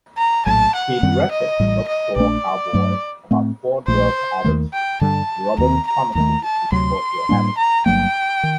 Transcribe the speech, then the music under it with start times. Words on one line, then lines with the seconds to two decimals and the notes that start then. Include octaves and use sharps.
He directed "Drugstore Cowboy" about four drug addicts robbing pharmacies to support their habit.
0.18 A#5
0.46 A#1 A2 F#3 A5
0.75 F#5
1.03 F#2 D#3 G3 C4
1.31 D#5
1.60 A1 A2 G3
1.88 D#5
2.16 A#1 A2 A3 D4 D5
2.73 G2 F#3 A3
3.31 A2 A3 C4
3.87 A#1 A#2 A3 C5
4.44 D#2 D#3 A3
4.73 G5
5.01 G2 D3 G3 A5
5.58 D#2 D#3 G3 A#5
5.63 C4
5.87 A#5
6.15 D#2 D#3 A3 A#5
6.44 A5
6.72 D2 C3 F#3 C6
7.29 A2 G3 A#3 D4
7.58 A#5
7.86 G1 G2 F#3 A#3 G5
8.43 D#3